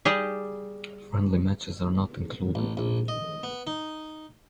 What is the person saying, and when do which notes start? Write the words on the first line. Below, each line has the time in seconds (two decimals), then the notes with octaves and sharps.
Friendly matches are not included.
0.05 G3 G4 G#4
2.55 A1
2.77 A#1
3.08 D#5
3.43 B3
3.67 D#4